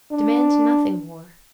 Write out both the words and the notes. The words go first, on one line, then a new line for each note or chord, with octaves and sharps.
Demand nothing more.
D4